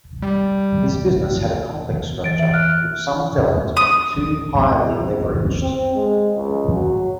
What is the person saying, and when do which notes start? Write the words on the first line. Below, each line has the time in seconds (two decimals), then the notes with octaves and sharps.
His business had a complex structure which some felt to be too highly leveraged.
0.22 G3
2.24 E3 A6 D7
2.39 E5 D7
2.54 F6 F#6
3.77 D#6
5.63 C4
5.95 G#3
6.36 C#2
6.75 F#3